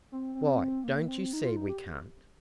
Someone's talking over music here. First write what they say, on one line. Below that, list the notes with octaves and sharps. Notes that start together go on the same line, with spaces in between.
"Why, don't you see we can't?"
C4
C4
A#3
C4
D#4
F4
D#4
G4